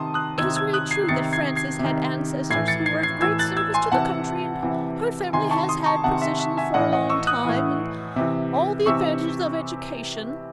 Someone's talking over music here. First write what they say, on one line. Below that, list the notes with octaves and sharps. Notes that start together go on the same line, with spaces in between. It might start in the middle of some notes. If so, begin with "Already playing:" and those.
It is really true that Frances had ancestors who were of great service to the country, and her family has had position for a long time, and all the advantages of education.
Already playing: C3 D#3 A5 C6 D#6
D#6 F#6
C3 D#3 E6 G#6
E6 G#6
D#6 F#6
G#6 C7
C3 D#3 A6 C#7
G#6 C7
G#6 C7
C3 D#3
A2 E3 G#6 C7
A6 C#7
G#6 C7
G#6 C7
A2 E3 E6 G#6
F#6 A6
E6 G#6
G#5 C6
C3 E3 F#5 A5
C3 E3
C3 D#3 G#5 C6
A5 C#6
C6 D#6
A5 C#6
C3 D#3 F#5 A5
E5
E5
E5 G#5
A2 E3 D#5 F#5
D#5 F#5
C#6 E6
D#6 F#6
A2 E3
C3 E3
C3 E3 C#6 E6